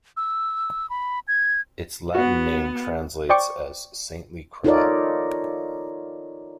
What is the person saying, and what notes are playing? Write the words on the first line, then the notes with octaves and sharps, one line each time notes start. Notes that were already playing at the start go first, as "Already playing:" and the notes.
Its Latin name translates as "saintly crab".
E6
B5
G#6
B3 F#4
C5 D5 G5 C#6 D6
D#4 F4 A4 A#4 C#5 D5